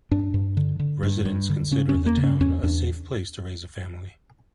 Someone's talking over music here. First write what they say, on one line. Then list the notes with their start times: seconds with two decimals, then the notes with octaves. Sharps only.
Residents consider the town a safe place to raise a family.
0.11 G2 D4
0.34 G2
0.57 D3
0.79 D3
1.03 G2
1.25 G2
1.50 D3
1.71 C#3 C#4
1.89 C#4
1.94 E2
2.06 A#3
2.17 C#3
2.23 C#4
2.41 E2 C#4
2.63 E2 D4